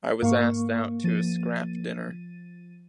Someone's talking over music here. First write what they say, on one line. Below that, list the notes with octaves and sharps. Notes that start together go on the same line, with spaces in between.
I was asked out to a scrap dinner.
G#2 A#3 F5 C#6
F3 A6 D#7